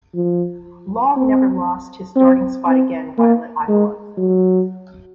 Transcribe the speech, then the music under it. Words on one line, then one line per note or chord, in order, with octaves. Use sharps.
Long never lost his starting spot again while at Iowa.
F3
C4
C4
C4
A#3
G#3
F#3